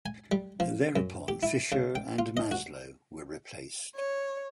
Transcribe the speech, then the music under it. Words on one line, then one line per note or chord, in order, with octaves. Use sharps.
Thereupon Fischer and Maslow were replaced.
G#5
G3
F3
F#2
G4
E4
C#3
G5
F4
D#5
F#4
C#5